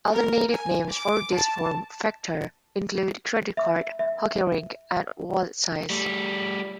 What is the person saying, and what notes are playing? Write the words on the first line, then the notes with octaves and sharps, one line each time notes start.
Alternative names for this form factor include "credit card," "hockey rink," and "wallet-size".
A#4
G#5
D6
A5
E5
E5
G3 A3